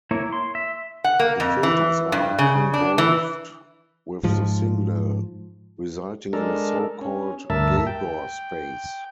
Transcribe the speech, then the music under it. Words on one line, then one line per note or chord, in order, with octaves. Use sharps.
The filters are convolved with the signal, resulting in a so-called Gabor space.
A#3 E4 C#5
C6
E5
F#5
A#3
F2
E3
G2
C#3
D4
E3
G#2 F3
G#3 D4 A4 A#4
C#4
D2 G2 A#4 E5 A5
G5